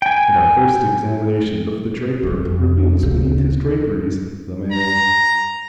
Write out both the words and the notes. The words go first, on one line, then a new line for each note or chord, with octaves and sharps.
And our first examination of the draper reveals beneath his draperies--the man!
G5 G#5
A3 B3
F2
D2 C#3
A#5